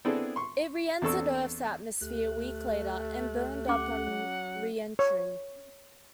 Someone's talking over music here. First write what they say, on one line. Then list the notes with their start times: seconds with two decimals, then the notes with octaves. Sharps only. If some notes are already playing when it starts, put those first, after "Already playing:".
It re-entered Earth's atmosphere a week later, and burned up on re-entry.
0.05 B3 C4 D4 E4 G#4 A4
0.36 C6 C#6
1.02 E2 C4 D4 A4 C#6 E6
2.01 D2 A3 G4 F#6
3.68 C#4 F#5 D6
4.06 F#3
4.99 C#5